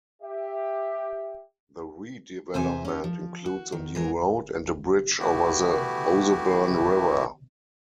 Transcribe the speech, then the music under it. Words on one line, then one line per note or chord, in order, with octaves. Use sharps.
The redevelopment includes a new road and a bridge over the Ouseburn river.
G4 E5
E2 C3 C4 C5 E5 G#5
C#4 G4
F3
F#4
D#3
E3 G#3 G#4 A#4
E3 A3 B3 E4 F#4 G4